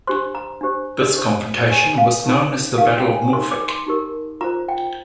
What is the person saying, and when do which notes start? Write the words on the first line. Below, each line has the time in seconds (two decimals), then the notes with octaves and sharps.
This confrontation was known as the Battle of Norfolk.
0.07 D4 G4 C5 C6
0.35 A#5
0.61 D4 G4 C5
1.16 D4 G4 C5
1.69 D4 G4 C5 G#5
1.98 F5
2.25 D#4 G4 A#4
2.78 D#4 G4 A#4 F5
2.97 G5
3.15 G#5
3.33 D#4 G4 A#4 C6
3.51 D6
3.68 C6
3.87 D#4 G4 A#4
4.41 F4 C5 A#5
4.69 G5